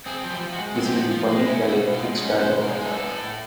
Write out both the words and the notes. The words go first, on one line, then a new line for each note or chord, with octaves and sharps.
This will be funded by a Kickstarter campaign.
C4 G#4
F3
G4
F3
F#4
G#3
C4 F#4
G4
F3 F#4
F3 F4
G#3
C#4 E4
B2
E4
B2
F4
G#3
C#4 F#4
B2
C5
B2
A#4
G#3
G#4
B3 A4
A2
A2